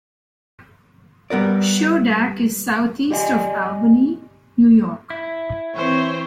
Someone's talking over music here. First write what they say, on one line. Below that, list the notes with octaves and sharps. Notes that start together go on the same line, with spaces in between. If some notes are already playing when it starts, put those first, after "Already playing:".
Schodack is southeast of Albany, New York.
G3 B3 A#4 D5
G4 D5 D#5 F#5 G#5
E4
E3 C4 C5 C#5